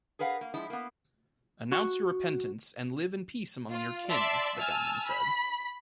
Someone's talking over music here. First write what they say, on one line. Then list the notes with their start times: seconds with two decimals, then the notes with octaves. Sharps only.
Announce your repentance and live in peace among your kin, the gunman said.
0.19 G#4 A#4 B4 F5 F#5
0.41 A#3
0.54 F3 G#3 E4
0.70 A#3 B3
1.71 F#4 C#6
3.69 F4
4.09 D5 E5 A5 C6
4.57 G#5 A5 E6 F6
5.08 B5